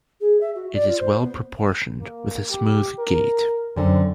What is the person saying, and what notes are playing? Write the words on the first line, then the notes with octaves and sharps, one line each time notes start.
It is well proportioned, with a smooth gait.
G#4
E5
F#4
D5
F4
C5
B3
A#3
G4
A#4
F#2 D3 C4